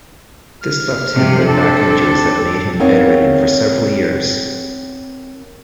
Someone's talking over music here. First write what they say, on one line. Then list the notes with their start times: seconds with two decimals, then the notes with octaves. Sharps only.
This left him with back injuries that made him bedridden for several years.
0.62 F6
1.15 C3 F3 G4
1.46 C4 D4 A4 D5
2.80 B3 C4 D#4 A#4 C#5 F5